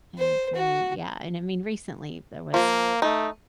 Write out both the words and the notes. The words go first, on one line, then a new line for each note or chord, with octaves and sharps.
I agree, yeah, and I mean, recently there was
C5
F#4
F3 A#3
A3 D#4